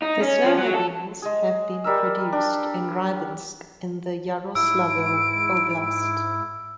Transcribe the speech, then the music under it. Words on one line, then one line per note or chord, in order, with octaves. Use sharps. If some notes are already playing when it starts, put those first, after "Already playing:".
The snowmobiles have been produced in Rybinsk in the Yaroslavl Oblast.
D#4
C#4
F3
F#3
A4
G#3 G#4
G3 A#4 E6
D4
G#2 E4 E6 D7